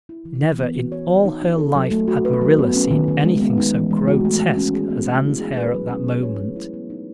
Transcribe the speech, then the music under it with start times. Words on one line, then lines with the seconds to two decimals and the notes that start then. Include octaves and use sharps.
Never in all her life had Marilla seen anything so grotesque as Anne's hair at that moment.
0.09 E4
0.25 E3
0.42 E3
0.59 B3
0.75 F#4
0.92 C#5
1.08 B3
1.25 D#4
1.42 D#4
1.58 A4
1.75 F#3
1.91 A3
2.08 F#4
2.25 B4
2.41 F#3
2.59 B3
2.75 C#4
2.91 D#3
3.08 D#3
3.24 G#3
3.41 B3
3.58 D#4
3.74 E3
3.91 G#3
4.08 F#4
4.25 A3
4.41 A3
4.57 C#4
4.74 G#4
4.90 B3
5.07 B3
5.24 E4
5.40 G#4
5.57 B4
5.74 F#3
5.90 C#4
6.07 G#4
6.23 C#5
6.40 A3
6.56 E4
6.74 B3
6.90 D#4